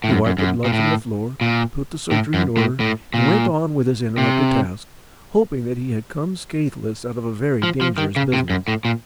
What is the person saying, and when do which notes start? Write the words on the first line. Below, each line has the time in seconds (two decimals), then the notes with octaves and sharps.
He wiped the blood from the floor, put the surgery in order, and went on with his interrupted task, hoping that he had come scathless out of a very dangerous business.
0.04 A2
0.10 F#2
0.26 F#2
0.38 F#2
0.65 A#2
0.73 A2
1.41 A#2
2.11 A2
2.34 F#2
2.57 A2
2.80 A2
3.14 A#2
4.18 C3
7.63 F3
7.81 F3
7.98 D#3
8.16 C#3
8.33 C3
8.50 F#2
8.68 A2
8.85 A#2